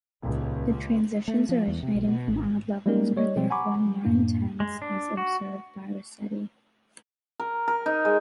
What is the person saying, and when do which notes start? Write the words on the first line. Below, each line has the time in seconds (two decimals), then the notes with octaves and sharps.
The transitions originating from odd levels are therefore more intense as observed by Rasetti.
0.22 D#1 C#2
1.28 A3
1.49 F3
1.68 E2
1.83 C3
1.95 B1
2.08 B2
2.28 G#1
2.86 G3 G#3 A#3 C#4 D#4 A#4
3.16 G3 C#5 D#5
3.36 B2 F3 G3 C4
3.50 F#5 G#5 A#5 B5 C#6 D6
3.86 F#3
4.05 F#2 A2 A#3 D4
4.60 G#3
4.82 D4
5.17 F#4
7.40 A#4
7.68 A#4
7.86 D#4
8.05 G#3